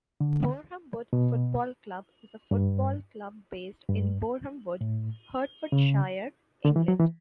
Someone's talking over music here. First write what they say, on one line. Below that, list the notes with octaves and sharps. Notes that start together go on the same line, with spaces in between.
Boreham Wood Football Club is a football club based in Borehamwood, Hertfordshire, England.
D3
B2
G2
G2
A2
C#3
D3
E3
F#3
E3